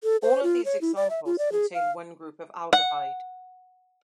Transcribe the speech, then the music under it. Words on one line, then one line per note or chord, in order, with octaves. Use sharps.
All of these examples contain one group of aldehyde.
A4
C5
F4
C#5
E4
D5
E5
F4
D5
G#4
F5
F#5